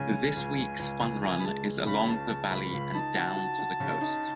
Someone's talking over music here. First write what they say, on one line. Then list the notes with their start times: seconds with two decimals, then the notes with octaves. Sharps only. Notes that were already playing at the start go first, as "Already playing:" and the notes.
This week's fun run is along the valley and down to the coast.
Already playing: C#2 C#3 G#3 G#5
0.15 G#3
0.36 C#2
0.58 C#2
0.79 C#2
1.01 C#2
1.22 C#2 G#5
1.39 B5
1.43 G#3 A5
1.65 G#3
1.86 C#3 B5
2.08 C#2 A5
2.30 G#3
2.51 C#2 B5
2.73 C#2
2.94 D#4 A5
3.15 F#4
3.36 F#4
3.59 F#4
3.80 C#3
4.01 D#4